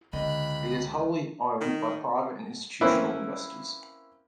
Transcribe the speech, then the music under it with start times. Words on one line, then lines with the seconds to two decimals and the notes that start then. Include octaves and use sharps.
It is wholly owned by private and institutional investors.
0.13 C#2 D3 D#5 B5 F#6
1.61 D#3
2.81 A#3 C4 C#4 E4 B4